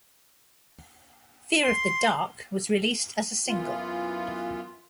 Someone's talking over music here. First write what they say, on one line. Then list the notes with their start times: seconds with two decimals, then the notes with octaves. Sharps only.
"Fear of the Dark" was released as a single.
1.64 C6
3.47 F#2 E3 B3 F4